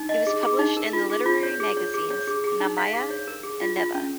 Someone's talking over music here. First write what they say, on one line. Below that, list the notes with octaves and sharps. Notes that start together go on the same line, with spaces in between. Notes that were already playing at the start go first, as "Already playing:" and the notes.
He was published in the literary magazines Znamya and Neva.
Already playing: D#4
D#5
G#4
G#4
D#4
A#4
F4
G#4
F4
C#5
G#4
C#5
G#4
C#5
G#4
G#4
D#4
F5
G#4
C#5
A#4
G#4
F4
F4
C#4